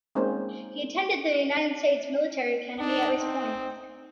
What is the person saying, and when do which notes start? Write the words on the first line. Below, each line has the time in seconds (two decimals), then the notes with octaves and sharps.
He attended the United States Military Academy at West Point.
0.15 G#3 A#3 C4 C#4 D#4 C5
2.80 D4 D#4
3.20 C4